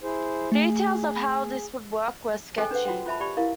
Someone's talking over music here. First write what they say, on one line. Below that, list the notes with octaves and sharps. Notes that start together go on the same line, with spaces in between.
Details of how this would work were sketchy.
E4 G#4 C5
A3 G#4
G#4 A4 C5 D#5 G5 G#5
D4 B4 C5 F#5
F4 F#4 F#5 G5
F4 C5 E5 A5 B5
G4 D5 B5
E4 A#4 F5